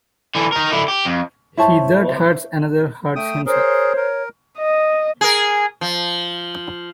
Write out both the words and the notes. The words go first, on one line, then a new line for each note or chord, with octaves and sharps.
He that hurts another, hurts himself.
D3 E3
D#4 A#4
D3 E4
G4
F2
E4 C5 C#5 A5
A3 G5 D#6
G#4 A#4 C5 C#5
A#4
D#5
G#4 A#4
F3